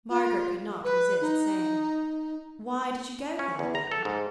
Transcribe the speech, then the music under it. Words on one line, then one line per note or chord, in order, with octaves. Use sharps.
Margaret could not resist saying, "Why did you go there, then?"
F4
B4
D#4
C#4
E2
A#5
A4
G#2